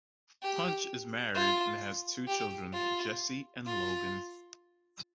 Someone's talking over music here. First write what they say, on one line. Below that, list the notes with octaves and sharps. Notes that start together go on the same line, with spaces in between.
Punch is married and has two children, Jessie and Logan.
G4
F4
G4
F4
F4